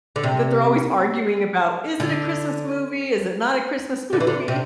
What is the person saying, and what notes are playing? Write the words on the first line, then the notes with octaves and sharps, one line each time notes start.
that they're always arguing about, "Is it a Christmas movie? Is it not a Christmas movie?"
D3
C3
D3
D3
E3
D3
C3